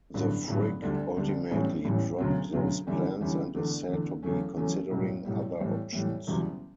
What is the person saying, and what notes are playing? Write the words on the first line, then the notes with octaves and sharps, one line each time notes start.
The Frick ultimately dropped those plans and is said to be considering other options.
A1 G2 D3 F#3 B3
A1 G2 D3 F#3 B3
D2 D3 G3 D4
D2 D3 G3 D4
A1 A2 E3 G3 C#4
A1 A2 E3 G3 C#4
E1 D2 C#3 F#3
E1 D2 C#3 F#3
E2 D3 G3 C#4 E4
E2 D3 G3 C#4 E4
E2 D3 A3
E2 D3 A3
E2 C#3 F#3 A3 C#4
E2 C#3 F#3 A3 C#4
B1 A2 G3
B1 A2 G3
A2 E3 G3
A2 E3 G3
F#1 E2 B2 G3